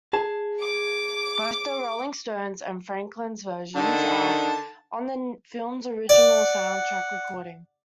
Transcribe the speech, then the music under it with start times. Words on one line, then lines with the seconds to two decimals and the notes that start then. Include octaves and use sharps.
Both the Rolling Stones' and Franklin's versions are on the film's original soundtrack recording.
0.13 G#4 A5
0.60 D6
3.76 D3 D#3 A5
6.09 D5 F#5